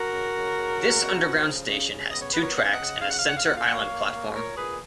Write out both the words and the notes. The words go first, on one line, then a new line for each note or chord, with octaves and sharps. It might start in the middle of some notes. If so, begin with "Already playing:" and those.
This underground station has two tracks and a center island platform.
Already playing: F#4 A#4
C#3
C#3
C#3
C#3
B3
F3
C#3
C#3
C#3
B3 D#5
C#5
B3 B4
A#4 C#5
C#3 F#5
F5
D#5 F#5
C#3
C#3 F5
F#5
C#3 F5
F#5
F5
A#2 F#5
F5
A#2 F#5
C#5 F5
A#3
A#3
A#2 A#4 C#5
A#2 G#4 B4